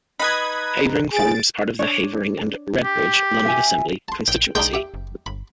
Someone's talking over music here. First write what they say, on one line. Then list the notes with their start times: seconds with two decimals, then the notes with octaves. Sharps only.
Havering forms part of the Havering and Redbridge London Assembly constituency.
0.20 D#4 B4 B5 D#6 G#6
1.13 G#4 A6 D7
1.79 D4 C#5 D5
2.84 G4
3.45 E5 G#5
4.08 A5 C6
4.28 A#1 G5
4.55 B1 G#3 D4 D#4 G5
4.74 G4 E5
4.94 F#1
5.26 G1 B5